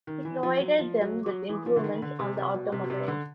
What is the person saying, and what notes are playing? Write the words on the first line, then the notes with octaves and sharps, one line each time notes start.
He provided them with improvements on the automobiles.
D#3
E3
F3
F#3
F3
F#3
F#3
E3
F3
D3
D#3
D3
C3
C3
B2
C3
B2
C3
D3